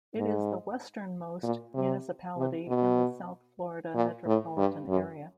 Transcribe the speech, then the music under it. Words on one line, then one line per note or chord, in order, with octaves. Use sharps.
It is the westernmost municipality in the South Florida metropolitan area.
G#2
A#2
C3
C3
B2
A#2
A2
G2
F#2